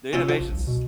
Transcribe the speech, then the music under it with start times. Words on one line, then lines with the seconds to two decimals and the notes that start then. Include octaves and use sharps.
The innovation's
0.13 C#4 F4 E5
0.29 F3
0.41 A#1
0.55 C2
0.67 B2